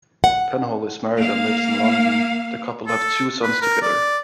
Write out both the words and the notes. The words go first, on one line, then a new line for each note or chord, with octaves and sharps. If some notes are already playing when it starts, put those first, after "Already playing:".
Penhall is married and lives in London; the couple have two sons together.
F#5
A#3 F5
A4
B4
A#4
D5